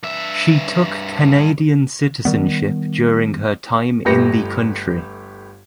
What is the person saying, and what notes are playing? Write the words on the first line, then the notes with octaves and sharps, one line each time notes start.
She took Canadian citizenship during her time in the country.
G2 E5
D#3 G3 B3
G1 A3 G4 B4 A#6 C#7